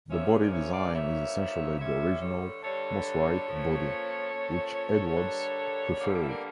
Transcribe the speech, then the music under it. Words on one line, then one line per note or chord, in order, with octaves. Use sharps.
The body design is essentially the original Mosrite body, which Edwards preferred.
G2 F3 A#3 C#4 C#5 E5
D5
C#5 E5
D5 F5
G2 F3 A#3 C#4 C#5 E5
G2 D3 G3 C#5 E5
A4 C#5
G2 D3 G3 A4 C#5
A#2 F3 C#4
A#2 F3 C#4
G2 D3 G3 A#3
G2 D3 G3 A#3 D5
E5
D5
E5
A#4 D5